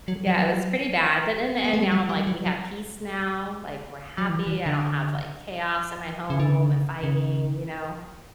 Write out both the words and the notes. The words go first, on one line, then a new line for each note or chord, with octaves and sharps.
yeah, it was pretty bad, but in the end, now I'm like, "We have peace now," like, "We're happy, I don't have, like, chaos in my home and fighting," you know?
F#3
F#3
B3
A3
G3
F#3
G3
F#3
F#3
F#3
E3
E3
D3
C#3
D3
C#3
D3
C#3
C#3